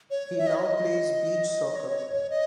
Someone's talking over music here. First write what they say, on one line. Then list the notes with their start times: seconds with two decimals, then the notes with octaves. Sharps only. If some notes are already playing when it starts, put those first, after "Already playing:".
He now plays beach soccer.
0.11 C#5
0.38 E5
0.47 D#5
0.55 C#5
0.63 D#5
1.75 C#5
2.30 D#5